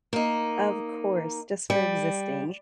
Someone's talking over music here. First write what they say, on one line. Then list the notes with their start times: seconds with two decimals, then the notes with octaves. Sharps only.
Of course, just for existing.
0.13 A#3 D#4
1.70 G3